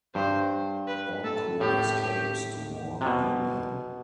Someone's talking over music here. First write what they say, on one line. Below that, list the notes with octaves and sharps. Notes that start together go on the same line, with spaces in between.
Orko escapes to warn He-Man.
G2 C5
B4
A4
A2 G4
C3
B2